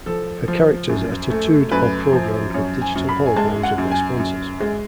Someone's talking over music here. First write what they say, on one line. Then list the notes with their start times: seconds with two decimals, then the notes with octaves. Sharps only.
Her characters are tattooed or programmed with digital holograms of their sponsors.
0.06 F3 A4
0.48 F3
0.89 F#2
1.30 A3
1.71 F#2 B4
2.13 F3
2.54 F#2 C#5
2.82 G#5
2.95 F#2
3.09 B5
3.26 G#5
3.36 G#3 A5
3.63 F#5
3.78 F#2
3.91 G#5
4.19 F#2
4.60 G#3